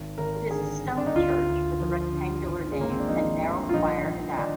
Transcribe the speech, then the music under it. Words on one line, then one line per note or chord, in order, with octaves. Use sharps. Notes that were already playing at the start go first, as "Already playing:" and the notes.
It is a stone church with a rectangular nave and narrow choir and apse.
Already playing: G#1
G#1 A#4
D3 G#4
G2
D4
D#4
D2 F4
D2
F3
D3
G#1
G#3
G#1 A#3
C4
D4
F3 D#4
G2
F4
A#1 D#4
A#1
D#3 D4